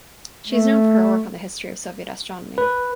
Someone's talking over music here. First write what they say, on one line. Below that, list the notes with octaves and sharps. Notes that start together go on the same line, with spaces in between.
She is known for her work on the history of Soviet astronomy.
A3
B4